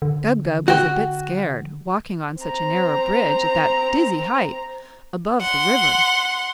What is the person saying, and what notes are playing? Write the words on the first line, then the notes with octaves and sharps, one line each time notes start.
Gub-Gub was a bit scared, walking on such a narrow bridge at that dizzy height above the river.
D3
F#4 G5
C4 A#5
F#5 C6